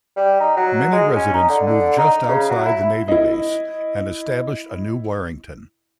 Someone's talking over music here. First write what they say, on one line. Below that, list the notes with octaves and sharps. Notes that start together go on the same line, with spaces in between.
Many residents moved just outside the navy base, and established a New Warrington.
G3
D#4
F#3
G#3
C#4
D#4
D3
D3
D#4
C#3
F#3
E4
E4 D#5